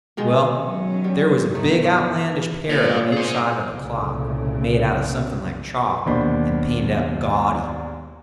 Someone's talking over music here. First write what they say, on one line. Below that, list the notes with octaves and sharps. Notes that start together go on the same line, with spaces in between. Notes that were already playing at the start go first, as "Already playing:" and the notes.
Well, there was a big outlandish parrot on each side of the clock, made out of something like chalk, and painted up gaudy.
B2 D#3 G#3
F#3 C#4
G3
G2 B2 D#3 A3
E3
A#2 C#5 E5
G#4 C5
C2 A#2 C#3 A3
D#2 B2 A#3 D4 C5 B5